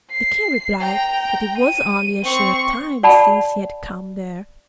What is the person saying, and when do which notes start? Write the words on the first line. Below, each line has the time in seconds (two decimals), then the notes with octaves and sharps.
The King replied that it was only a short time since he had come there.
0.11 C7
0.80 G5 A#5
1.58 D#7
2.23 C4 C#6
3.03 D5 F#5 A5 B5